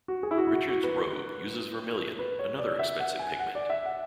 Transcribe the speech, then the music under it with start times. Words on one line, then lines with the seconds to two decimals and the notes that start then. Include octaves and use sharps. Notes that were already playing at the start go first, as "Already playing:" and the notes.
Richard's robe uses vermilion, another expensive pigment.
0.08 F#4
0.23 G#4
0.31 E4
0.38 F#4
0.47 E4
0.54 F#4
0.69 F#4
0.84 B4
2.19 B4
2.39 C#5
2.59 D5
2.79 E5
3.00 F#5
3.19 G#5
3.39 F#5
3.55 D5
3.70 E5
3.85 F#5